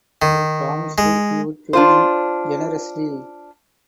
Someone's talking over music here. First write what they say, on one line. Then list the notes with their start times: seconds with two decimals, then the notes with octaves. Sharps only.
He promised he would pay him generously.
0.22 D#3
0.98 G#3
1.73 D4 F4 C5